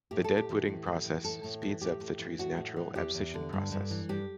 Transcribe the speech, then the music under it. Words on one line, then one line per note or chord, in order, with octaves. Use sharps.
The deadwooding process speeds up the tree's natural abscission process.
A2 G4
A4
A2
G4
E3
A2
A2
E3
A2 A4
A2
E3
A2 G4
A2
E3
A2 F#4
A2
E3
E2 G4
E2
D3
G2
G2
E3
G2 G4